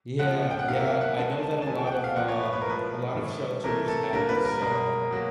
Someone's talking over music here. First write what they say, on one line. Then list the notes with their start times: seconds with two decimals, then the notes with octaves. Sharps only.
Yeah, yeah, I know that a lot of, um, a lot of shelters had this, um
0.19 C#3 F3 G#3 F#5
0.51 G5
0.59 F#5
0.68 C3 D#3 F#3 A#3 F5
0.80 E5
0.85 F5
1.01 F#5
1.18 D#3 G#3 A5
1.43 A5
1.62 A5
1.67 C3 F3 A3 G#5
1.87 G5
1.92 F#5
2.04 F5
2.16 A#2 F3 A#3 F#5
2.28 C#5
2.40 B4
2.53 B4
2.61 A#4
2.65 A2 F3 G#3 B4
3.14 A2 E3 G3
3.64 C3 E3 A3 A#4
3.88 A4
4.13 D3 G3 A#3 A#4
4.29 B4
4.45 A#4
4.62 B2 G#3 A#4
5.11 B2 F#3 A#3